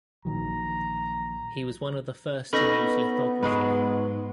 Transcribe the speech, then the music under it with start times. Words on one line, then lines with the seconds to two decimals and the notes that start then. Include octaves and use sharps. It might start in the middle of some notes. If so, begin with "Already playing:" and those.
He was one of the first to use lithography.
0.25 A#1 D#3 F#3 A#5
2.53 B3 C#4 D#4 A4 B4 C#6 A#6
3.43 G#2 F#3 G#3 B4